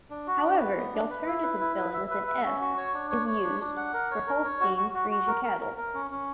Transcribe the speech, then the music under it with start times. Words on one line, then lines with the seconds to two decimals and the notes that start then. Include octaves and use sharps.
However, the alternative spelling with an "s" is used for Holstein Friesian cattle.
0.10 D4
0.27 F#4
0.44 D4
0.60 B4
0.77 B3
0.93 D4
1.10 B4
1.26 E4
1.43 B4
1.60 E4
1.77 B4
1.94 E5
2.10 B4
2.27 E5
2.44 C#4
2.61 F#4
2.78 C#5
2.94 D4
3.10 C#5
3.27 C#5
3.44 D4
3.60 D4
3.77 F#5
3.94 A#4
4.11 C#5
4.27 A#4
4.44 C#5
4.61 F#4
4.77 F#4
4.94 F#4
5.11 F#4
5.28 A#4
5.44 A#4
5.61 A#4
5.77 A#4
5.94 C#4
6.11 C#4